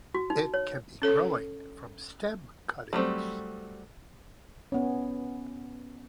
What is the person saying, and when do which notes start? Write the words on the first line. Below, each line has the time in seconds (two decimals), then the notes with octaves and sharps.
It can be growing from stem cuttings.
0.15 F#4
0.30 D#4
0.54 C#5
1.02 C#4 A4 C#5
2.93 F#3 G3 A3 C4
4.72 B3 C#4